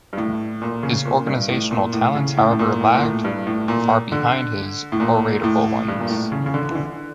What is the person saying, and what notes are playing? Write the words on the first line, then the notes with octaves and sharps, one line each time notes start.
His organizational talents, however, lagged far behind his oratorical ones.
G2
A2
A#2
C#3
A#2
G2
A2
A#2
A2
C#3
A2
A2
A#2
A2
A#2
A2
G2
A2
A#2
D3
A2
A#2
A2
G2
A#2
A2
C#3
C#3
D3
E3
D3